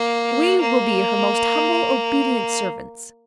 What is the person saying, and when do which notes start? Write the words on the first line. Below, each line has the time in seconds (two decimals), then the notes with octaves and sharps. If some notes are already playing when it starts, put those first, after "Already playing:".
We will be her most humble obedient servants.
Already playing: A#3
0.61 A#3